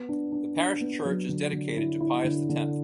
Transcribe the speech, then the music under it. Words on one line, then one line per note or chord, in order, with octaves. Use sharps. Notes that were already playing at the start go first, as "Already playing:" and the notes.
The Parish Church is dedicated to Pius the Tenth.
Already playing: B3
D4
D4
D4
B3
F#3
D3
D3
E4
E4
D3
D3